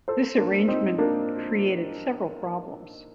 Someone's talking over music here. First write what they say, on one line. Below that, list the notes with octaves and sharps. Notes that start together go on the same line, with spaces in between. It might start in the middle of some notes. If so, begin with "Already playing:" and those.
This arrangement created several problems.
A4 C5
A#3 D4
C4 D#4
A#3 D4